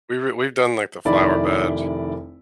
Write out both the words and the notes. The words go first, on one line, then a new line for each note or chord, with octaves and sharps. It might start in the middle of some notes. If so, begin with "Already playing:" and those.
we were we've done, like, the flower bed
F1 D#3 E4 D5 B5